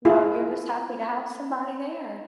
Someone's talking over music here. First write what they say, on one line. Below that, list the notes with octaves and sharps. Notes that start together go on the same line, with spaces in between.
No, you're just happy to have somebody there.
E4 F4 G#4